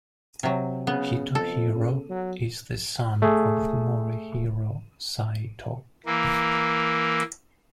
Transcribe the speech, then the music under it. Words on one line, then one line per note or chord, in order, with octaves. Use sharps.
Hitohiro is the son of Morihiro Saito.
C3 F#3
C#3 B3
F2 A4
C#3
F#3
A3 G#4
E3 A#3